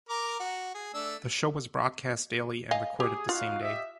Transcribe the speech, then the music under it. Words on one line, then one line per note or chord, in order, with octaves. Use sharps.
The show was broadcast daily, and recorded the same day.
A#4 A#5 D6
F#4
G#4
A3 D4 E6
D#5 F5 G#5
G4 G#4
D#4 F4 F#4 F5
G4 D#5 E5